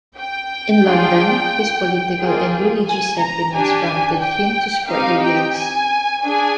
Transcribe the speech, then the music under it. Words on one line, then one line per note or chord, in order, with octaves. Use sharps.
In London, his political and religious sentiments prompted him to support the Whigs.
G5
D4 F4 G#4
A#3 F4 G#4
G#5
A#5
D4 G4 G#5
G5
C4 D#4 G4 F5
G5
G#5
D4 G#4 G#5